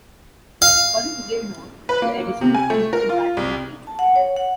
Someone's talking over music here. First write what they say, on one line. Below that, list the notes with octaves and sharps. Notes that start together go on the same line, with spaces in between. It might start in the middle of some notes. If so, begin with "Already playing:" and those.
According to Gilmour, the edition was printed in batches of eight.
F5
B4
A#3
C3
G#5
A3
A#4
F4
C2
A5
F#5
C#5
F#5